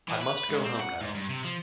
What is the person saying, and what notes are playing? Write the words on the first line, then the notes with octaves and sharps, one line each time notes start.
I must go home now.
E3
B4
G#2
C4
F#5
G#2
G2
C3
F3